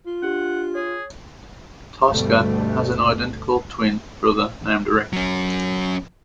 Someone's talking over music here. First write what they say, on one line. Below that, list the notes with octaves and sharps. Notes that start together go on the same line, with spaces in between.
Tosca has an identical twin brother named Rick.
F4
D4 G4 F#5
G#4 C#5
D2 G2 B2 G3 A3
F#3 C#4